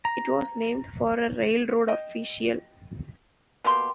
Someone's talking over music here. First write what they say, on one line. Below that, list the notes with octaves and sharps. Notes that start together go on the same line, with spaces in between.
It was named for a railroad official.
A#5
D#5 G5
B2 A#3 G4 C6